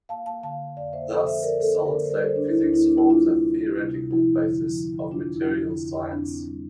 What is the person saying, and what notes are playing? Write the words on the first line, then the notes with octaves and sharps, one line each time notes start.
Thus, solid-state physics forms a theoretical basis of materials science.
A#3 F5 A5
A#3 F5 A5
D3 F5 A5
D3
F2 D5 F5
A#3 C5 E5
F3 A4 C5
D3 C5 E5
D3 A#4 D5
A#3 A4 C5
D3
A#4 D5
A#3
C5
G3 A#4 D5
G3 A4 C5
D4
D2 E4
D2 D4
A#3 E4
D4
A#3 E4
G3 D4 F4
C3
A#3
G3
C3
C3
F3 E4
F2
D3
F3
D3
D3
D3 D4 F4
F2
E4
F2
D3
F2
F2
C4 D4
C4
G3